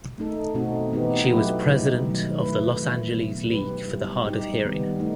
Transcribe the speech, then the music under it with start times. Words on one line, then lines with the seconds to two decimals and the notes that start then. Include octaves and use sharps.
She was President of the Los Angeles League for the Hard of Hearing.
0.18 A3 D#4 A4
0.54 B2 A3 C4 D#4 F#4
0.92 E3 B3 D#4 G4
1.29 F#3 A3 E4 G4 B4
1.66 B2 G3 D#4
2.03 D#3 F#3 A3
2.40 A3 E4 B4
2.77 E3 A3 E4
3.14 B2 F#3 B3
3.51 F#3 B3 D#4 G4 B4
3.88 G3 B3 E4
4.24 G3 D#4 G4
4.61 D#3 G3 B3
4.99 A3 D#4